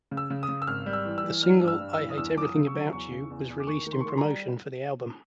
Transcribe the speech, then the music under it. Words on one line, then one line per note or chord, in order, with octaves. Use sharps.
The single "I Hate Everything About You" was released in promotion for the album.
C#3
E6
C#3
D#6
C#3
E6
G#1 F6
G3
E6
E3
E6
E3
G3 F6
G2
E6
G2
E6
E3
D#6
E2 E6
F#3 D6
D#6
C#3
C#6
F#3
E2 C#6
C#3
E2
E2
D6
D#3 C#6
D#3
C6
C#6
D#3 C6
A#5
G3